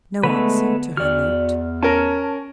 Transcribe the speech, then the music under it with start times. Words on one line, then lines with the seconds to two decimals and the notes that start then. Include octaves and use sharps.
No answer to her note?
0.23 D3 G#3 A3 B3 B4
0.97 E2 F#4 D5 F6
1.83 C#4 A#4 A5